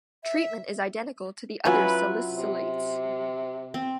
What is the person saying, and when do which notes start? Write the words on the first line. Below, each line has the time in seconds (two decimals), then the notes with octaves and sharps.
Treatment is identical to the other salicylates.
0.24 E5
1.65 F#3 C#4 E4 F4 B4
2.31 C3
3.74 C4